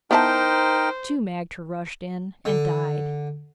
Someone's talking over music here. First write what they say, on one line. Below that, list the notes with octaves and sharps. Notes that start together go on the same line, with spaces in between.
Two magter rushed in, and died.
B3 D#4 E4 A#4 C5 G5 A5
D3